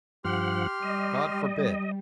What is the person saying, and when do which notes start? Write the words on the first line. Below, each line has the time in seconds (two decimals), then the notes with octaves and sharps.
God forbid.
0.25 G2 F3 G4 F#5 C6 F6
0.82 G3 D#5